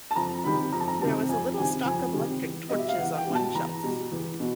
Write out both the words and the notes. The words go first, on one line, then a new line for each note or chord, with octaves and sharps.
There was a little stock of electric torches on one shelf.
A5
F2 A#5
C3 D#3 G3 B5
F2 A#5
A5
A#5
C3 D#3 G3 A5
F2 G#5
C3 D#3 G3 G#5
F2 G#5
C3 D#3 G3
E2
B2 G3 D#5
E5
F5
E2 F#5
G5
B2 G3
A5
E2 A#5
B2 G3
E2
B2